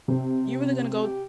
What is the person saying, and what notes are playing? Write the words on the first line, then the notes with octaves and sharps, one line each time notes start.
you really gonna go
C3 C4
G4